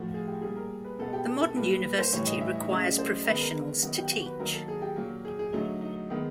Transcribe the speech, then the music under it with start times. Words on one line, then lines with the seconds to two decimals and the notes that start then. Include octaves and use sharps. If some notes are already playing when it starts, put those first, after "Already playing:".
The modern university requires professionals to teach.
Already playing: A2 F3 A3 F#4
0.14 G#4
0.27 G4
0.42 A#2 G3 A#3 G#4
0.56 A#4
0.84 B4
0.99 B2 G#3 B3 A4
1.13 G4
1.28 A4
1.41 A4
1.56 A#2 G3 A#3 B4
1.70 B4
1.84 B4
1.99 C5
2.12 A2 E3 G3 C#5
2.27 D#5
2.41 E5
2.55 D#5
2.69 C#3 F#3 A3 D#5
2.84 D5
2.98 C5
3.26 D#3 G#3 B3 B4
3.41 A#4
3.83 D#3 F#3 B3
3.98 G4
4.12 F#4
4.26 B4
4.40 D#3 F#3 A#3 A#4
4.54 A4
4.68 G#4
4.82 G4
4.96 A#2 F#3 A#3
5.25 G#4
5.39 G#4
5.53 D3 F#3 A3 D#4
5.81 D#4
6.10 D#3 G#3 B3